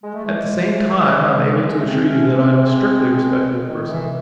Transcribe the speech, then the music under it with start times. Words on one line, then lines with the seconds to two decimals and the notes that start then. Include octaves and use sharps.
At the same time I am able to assure you that I am a strictly respectable person.
0.04 G#3
0.14 A3
0.25 E3 G#3
0.64 E3 G#3
1.65 F#3
1.71 G#3
1.79 A3
1.87 G#3 C4
2.07 A3 C#4
2.27 G#3 C4
3.69 D#3
3.90 E3